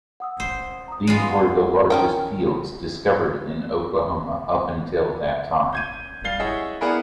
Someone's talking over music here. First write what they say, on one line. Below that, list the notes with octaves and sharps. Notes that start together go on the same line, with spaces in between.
These were the largest fields discovered in Oklahoma up until that time.
F#5 D#6 E6
C5
A#5 D#6
G#3 B3 F4
F#5
D#3 C#4 G5
G6 G#6 D#7
G3 F5 A6 C7 G7
E4 G#4 C#5 D#5 E5 F#5
B3 D4 E4 G#4 A#4 B4